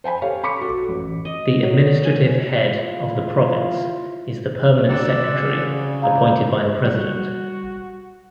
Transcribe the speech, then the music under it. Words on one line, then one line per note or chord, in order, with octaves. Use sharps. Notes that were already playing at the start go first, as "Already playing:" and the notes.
The administrative head of the province is the Permanent Secretary, appointed by the President.
C5 G5 G#5 B5
G4 A4 C#5 F5
B5 C#6 D6 B6 C#7
F#4 A4
A1
D#5
F#3
G#5
E4 F4
C4 D4 F#4 D5 F#5 E6
C#3
A#3 E4 F5 G5 A#5
G3 F#4 F#5